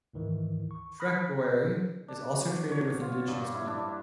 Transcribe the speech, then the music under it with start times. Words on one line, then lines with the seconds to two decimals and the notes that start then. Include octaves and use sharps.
Trekboere also traded with indigenous people.
0.14 D2 G#2 D#3 E3
0.71 C#6
1.00 B5 D#6 F6 F#6 A#6 B6
2.08 D4
2.34 F#4
2.72 C#5
3.01 F4
3.28 G2
3.54 E4
3.67 D4